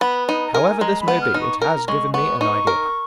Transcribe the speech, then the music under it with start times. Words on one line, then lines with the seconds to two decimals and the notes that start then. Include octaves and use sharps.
However this may be, it has given me an idea.
0.01 B3 B5
0.28 D#4 B5
0.47 A#5
0.54 A#4 G#5
0.81 G#3 A#5
1.01 B5
1.08 B3
1.22 F6
1.34 D#4
1.42 C#6
1.61 A#4 A#5
1.88 G#3 C#6
2.14 B3 C#6
2.41 D#4 C#6
2.67 A#4